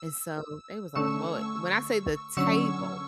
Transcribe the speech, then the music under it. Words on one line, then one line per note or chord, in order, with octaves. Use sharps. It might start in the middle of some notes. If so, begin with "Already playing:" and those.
And so, they was, like, "Well, it" when I say the table
Already playing: E6
D3 A3 C#4 C#6 E6
D3 F#3 C#4 C#6 E6